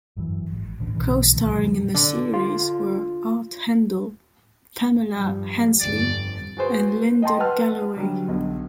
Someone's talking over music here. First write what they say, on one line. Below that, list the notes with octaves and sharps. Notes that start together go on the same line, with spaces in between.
Co-starring in the series were Art Hindle, Pamela Hensley, and Linda Galloway.
G1 F#2 A#2 E3
G#1
A1 D2 D3
B1 B2 D3 E3
C2 B2 D#3 A3
F2 A#2 D3 F#3
D3
F4
G2 F3 G3
G1 F2 D5
F#4 G#4 B4 C5
D#5 G5 A5 C6
B4 F#5 A5 F6
D3 F#3 G3
B1 D3